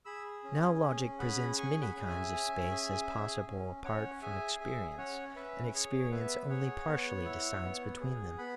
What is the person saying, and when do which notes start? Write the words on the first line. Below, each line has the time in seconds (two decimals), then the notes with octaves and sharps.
Now, logic presents many kinds of space as possible apart from experience, and experience only partially decides between them.
0.05 G#4 B5 E6
0.43 C#4
0.81 C#4
1.19 G#4 F#5 B5
1.57 G#4 G#5 C#6
1.82 F#5 B5
1.96 C#4
2.07 E5 G#5
2.33 C#4
2.71 G#4
3.09 G#4
3.47 C#4
3.84 C#4 C#5 F#5
4.22 G#4 E5 G#5
4.60 G#4 E5 G#5
4.97 C#4 C#5 F#5
5.36 C#4 B4 E5
5.74 G#4 C#5
6.02 C#5
6.11 B3 B4 E5
6.49 G#4 C#5 F#5
6.87 B3
7.25 E4
7.63 B3
8.00 G#4
8.38 B3 F#5 B5